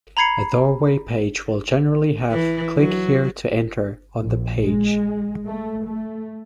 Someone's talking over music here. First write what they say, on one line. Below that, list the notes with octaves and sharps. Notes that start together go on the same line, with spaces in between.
A doorway page will generally have "click here to enter" on the page.
A#5 B5 G#6 C7 C#7
E3
F#3
A#1
G#3
A3
A3